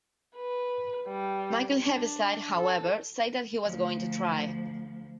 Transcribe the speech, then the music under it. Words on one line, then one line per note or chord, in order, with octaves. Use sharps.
Michael Heaviside, however, said that he was going to try.
B4
G3
D4
A4
D2 F3